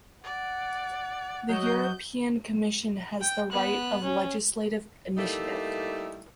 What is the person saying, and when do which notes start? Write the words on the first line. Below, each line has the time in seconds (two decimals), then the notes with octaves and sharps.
The European Commission has the right of legislative initiative.
0.24 D5 F#5
1.49 F#3 F#4 D#5 G6
3.21 G5
3.52 B3 F#6
4.04 C#4
5.17 G3 A3 A#3 D#4 E4